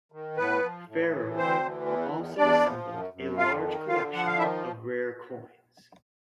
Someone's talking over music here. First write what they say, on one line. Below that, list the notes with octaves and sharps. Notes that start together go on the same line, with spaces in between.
Ferrary also assembled a large collection of rare coins.
D#3
A2 B3 B4
F3
A2
E3
D2 C4 C5
E3
E2
E2
E2 D4 D5
F3
F#2
F#2
F2 F4 F5
D#3
D3 F4 F5
F3 F#5
F5
D#3 E4 E5